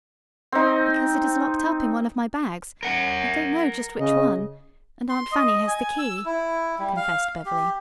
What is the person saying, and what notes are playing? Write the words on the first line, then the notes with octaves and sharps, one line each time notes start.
"Because it is locked up in one of my bags--I don't know just which one--and Aunt Fanny has the key," confessed Beverly.
C4 D#4
A#4 F#5
C#3 D#5
C6
D#5
G#5
E6
E4
G3
F5
G4